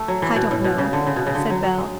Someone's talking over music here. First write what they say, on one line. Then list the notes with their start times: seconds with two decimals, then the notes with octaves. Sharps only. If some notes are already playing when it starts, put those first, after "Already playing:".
"I don't know," said Bell.
Already playing: A3
0.08 F#3
0.22 E3
0.36 B2
0.51 A2
0.64 B2
0.78 C#3
0.93 D3
1.07 C#3
1.16 B2
1.27 C#3
1.35 D3
1.50 F#3
1.63 F#3
1.78 G#3